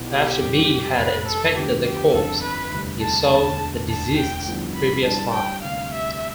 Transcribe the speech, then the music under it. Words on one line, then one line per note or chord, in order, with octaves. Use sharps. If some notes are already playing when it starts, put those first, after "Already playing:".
After Big had inspected the corpse, he saw the deceased's previous life.
Already playing: B1 B2 B3 E4
G4
F2 E3 G3
F1 F2 C3 B4
A4
D2 D3 F3 B3 G4
G4
G1 F2 D3 A4
B4
E1 D2 C3 G3
A5
E1 D2 D3 A5
E1 D2 D3 A5
G5
A1 G2 D3 F3 B3
B5
G2 E3 G3 D4 A5
G5
D2 C3 G3 F5
E5